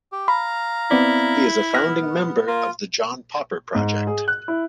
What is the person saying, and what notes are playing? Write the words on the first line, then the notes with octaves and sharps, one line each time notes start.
He is a founding member of The John Popper Project.
G4
F5 A#5 B5
B3 C4 E4 D5
B3 F6 F#6 A#6
A#3 F4
G#2
G#4
F#6
E4